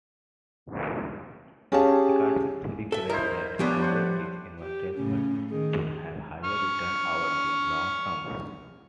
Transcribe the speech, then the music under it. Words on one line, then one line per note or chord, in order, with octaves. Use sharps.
Academic theory claims that higher-risk investments should have higher returns over the "long-term".
C#4 G4 G#4 C#5 F5 A5
A4 E5
D#4 E4 A#4 C5 A#5
F3 G3 B3 C#4 D4
D4 C5 F#5
G4
A2 C#3 C#4
D#3 G#4
C#6 F6